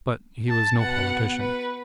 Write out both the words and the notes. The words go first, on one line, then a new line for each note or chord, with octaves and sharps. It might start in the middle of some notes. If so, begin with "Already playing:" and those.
But he was no politician.
A5
B2 B3 F#5
B4